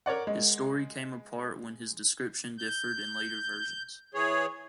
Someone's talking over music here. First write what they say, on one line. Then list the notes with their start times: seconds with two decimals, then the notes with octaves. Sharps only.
His story came apart when his description differed in later versions.
0.06 A#4 C#5 D5 F#5
0.27 G#3
2.58 G6
4.14 E3 G#4 C#5